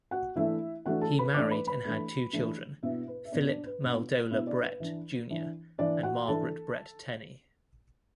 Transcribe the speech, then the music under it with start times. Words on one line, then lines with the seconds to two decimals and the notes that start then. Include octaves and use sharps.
He married and had two children: Philip Milledoler Brett, Junior and Margaret Brett Tenney.
0.11 F#4 F#5
0.35 E3 A3 D4 E4 E5
0.85 E3 A3 D4 F#4 F#5
1.01 A4 A5
1.19 B4 B5
1.34 E3 A3 D4 D5 D6
1.51 B4 B5
1.67 B4 B5
1.85 E3 A3 D4
2.33 E3 A3 D4
2.83 B2 B3 D4 E4 E5
3.08 B4
3.25 E5
3.32 B2 B3 D4 D5
3.48 D4 D5
3.66 B4
3.82 B2 B3 D4 B4
4.31 B2 B3 D4 E4 E5
4.47 D4 D5
4.63 B4
4.80 E3 D4
5.30 E3 D4
5.78 E3 D4 D5
6.03 F#4 F#5
6.28 E3 D4 A4 A5